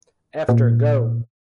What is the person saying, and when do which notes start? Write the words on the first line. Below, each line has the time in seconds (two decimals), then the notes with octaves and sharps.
After Go!
0.49 A#2